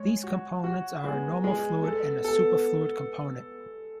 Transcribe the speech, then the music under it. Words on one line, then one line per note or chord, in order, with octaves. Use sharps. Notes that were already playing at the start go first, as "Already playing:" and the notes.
These components are a normal fluid and a superfluid component.
Already playing: G#3 C#5
F#4
F#4
G#3 B3
G#3
B3 A4
A4